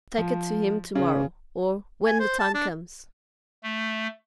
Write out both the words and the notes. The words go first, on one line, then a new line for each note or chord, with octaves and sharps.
Take it to him to-morrow or... when the time comes.
F3
C#3
G#5
C5
A5
D4
A3